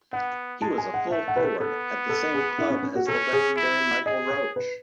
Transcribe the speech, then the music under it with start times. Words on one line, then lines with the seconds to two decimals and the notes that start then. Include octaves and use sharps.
He was a full-forward at the same club as the legendary Michael Roach.
0.13 B3 F#5
0.62 G#3 A5
0.78 G#5
0.94 F#5
1.10 A3 E5
1.28 F#5
1.36 B4
1.44 A4
1.59 B3 A4
2.09 A4
2.35 G#4
2.59 E4
2.70 C#4
2.83 C#4
2.95 F#4
3.07 C#4 A4
3.33 G#4
3.57 E4
4.06 G#4 D#5
4.31 C#5
4.56 B4